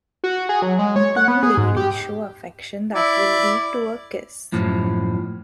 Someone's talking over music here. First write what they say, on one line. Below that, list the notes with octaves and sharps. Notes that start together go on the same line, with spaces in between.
Two ladies show affection that will lead to a kiss.
F#4
G#4
F#3
G#3
C#5
F#5
B3
G#4
G#2
G4
E4 D5
F#2 A2 F3